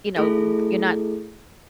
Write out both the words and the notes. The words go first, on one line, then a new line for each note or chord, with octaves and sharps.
you know, w you're not
A3 E4 G#4 A4